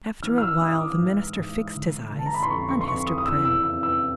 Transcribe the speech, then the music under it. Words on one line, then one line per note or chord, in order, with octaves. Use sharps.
After awhile, the minister fixed his eyes on Hester Prynne's.
E3 F6
F6
E6
E3 D#6
D#6
D6
G#2
G#2
D3
D3
A5
A#5
B5
C6
F2 C#6
C#6
C6
F2 C#6
D#6
D#6
E2 E6
E6
C3 E6
E6